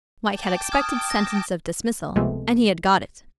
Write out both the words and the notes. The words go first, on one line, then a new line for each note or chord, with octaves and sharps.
Mike had expected sentence of dismissal, and he had got it.
G5 A5 D6
D#6 F6 G#6
A#6
C#2 C3 F3 G#3 A3 B3